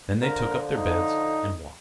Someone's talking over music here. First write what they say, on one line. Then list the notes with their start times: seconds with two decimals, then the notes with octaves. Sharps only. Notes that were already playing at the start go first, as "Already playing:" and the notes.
Then they took up their beds and walked.
0.22 D3 F3 A#4
0.74 D#4